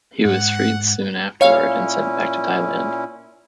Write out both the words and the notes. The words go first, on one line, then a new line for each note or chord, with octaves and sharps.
He was freed soon afterward and sent back to Thailand.
G#2 F#5
A#2 C#4 E4 C#5 F5